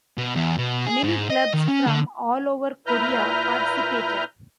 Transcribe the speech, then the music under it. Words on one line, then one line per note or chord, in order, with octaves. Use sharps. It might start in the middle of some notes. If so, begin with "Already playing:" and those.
Many clubs from all over Korea participated.
B2
E2
B2
G#4
G#2
D#5
D#3
C#4
D3
A#2 E4 B4 A#5 F6 G6